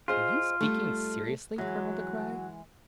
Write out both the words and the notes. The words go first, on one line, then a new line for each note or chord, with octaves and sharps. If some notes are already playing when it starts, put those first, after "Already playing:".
"Are you speaking seriously, Colonel De Craye?"
F4 G#4 C5 D#5
G3 A3
E3 F#3 G#3